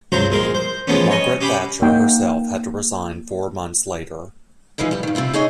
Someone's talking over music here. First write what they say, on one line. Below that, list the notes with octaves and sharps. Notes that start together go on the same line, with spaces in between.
Margaret Thatcher herself had to resign four months later.
C#2 G2 F#3 F#4 C5 A#5
A#1 G#3 A#4 F5
C5
E3 F3 G#3 A3 B3 C#4
C#5 D#5 G#5
C#4 G4 F5 B5
A#3 D#4 F#5 G5
E3 F3 G#3 D#4 B4
G3 G4
G2 D#3
C3 C4 E4 F4
D#4 G#4 C#5 D#5